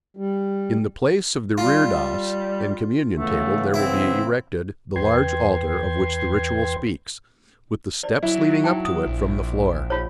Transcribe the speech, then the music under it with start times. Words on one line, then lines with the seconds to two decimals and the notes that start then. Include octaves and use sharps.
In the place of the reredos and Communion table there will be erected the large altar of which the ritual speaks, with the steps leading up to it from the floor.
0.17 G3
1.58 G3 F4
3.16 C#3 E3 A3 B3
3.74 C4 E4
4.96 E2 B4 G5 C6 G#6
8.03 D5
8.23 F#3 E4
8.64 D#4 G5
8.85 D#6
9.06 A#1
9.90 F4 C#5